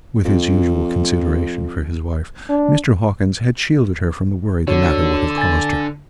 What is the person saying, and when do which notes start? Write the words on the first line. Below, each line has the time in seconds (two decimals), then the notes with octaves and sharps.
With his usual consideration for his wife, Mr. Hawkins had shielded her from the worry the matter would have caused her.
0.25 F2
2.49 D4
4.67 D3 D4 F#4 C#5
5.38 G#5 A6